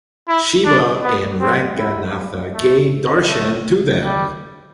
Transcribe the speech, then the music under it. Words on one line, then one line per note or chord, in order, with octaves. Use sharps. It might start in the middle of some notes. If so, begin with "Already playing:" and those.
Shiva and Ranganatha gave darshan to them.
E4
D4
B3
C4
E4
A3
A3
G3